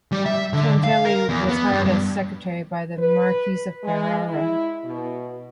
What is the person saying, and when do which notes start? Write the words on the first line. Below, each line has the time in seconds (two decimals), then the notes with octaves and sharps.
Cantelli was hired as secretary by the Marquis of Ferrara.
0.12 G3
0.26 E5
0.53 D3
0.84 F5
1.05 A#4
1.29 E2
1.49 B3
1.72 G2
1.85 G2
2.97 B4
3.84 G#3
4.28 E4
4.84 B2